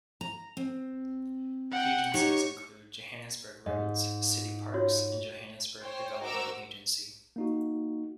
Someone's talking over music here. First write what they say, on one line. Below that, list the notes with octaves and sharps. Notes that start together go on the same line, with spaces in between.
Agencies include Johannesburg Roads, City Parks and Johannesburg Development Agency.
A#5
C4
F#5 G5
D#4 G4 C#5 C#6
G#2 D#5
F4 F#4 C#5
C5 C#5 G5 C6
F#4 A#4 C5 D6 E6 D7
A#3 D#4 F#4